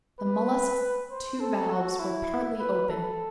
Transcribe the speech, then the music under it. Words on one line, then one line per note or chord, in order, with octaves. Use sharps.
The mollusk's two valves were partly open.
B4
C5
A4
F#4
E4
B4
A4